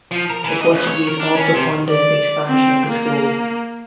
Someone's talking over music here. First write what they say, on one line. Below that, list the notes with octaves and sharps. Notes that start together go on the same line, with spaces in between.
The Portuguese also funded the expansion of the school.
F3
A#4
E3
D#5
C#2
C#5
A#4
D4
C#4
C3
D5
C4
A#3